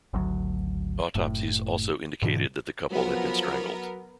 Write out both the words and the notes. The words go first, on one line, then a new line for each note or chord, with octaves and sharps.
Autopsies also indicated that the couple had been strangled.
G#1 D2 F#3
F#1 A2
G#2 B2 D3 E3
F3 F#3 B3 A#4